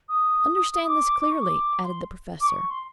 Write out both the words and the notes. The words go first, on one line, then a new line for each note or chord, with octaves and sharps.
"Understand this clearly," added the Professor.
D#6
D#6
D6
D6
C#6
D6
C6
D6
C#6
C6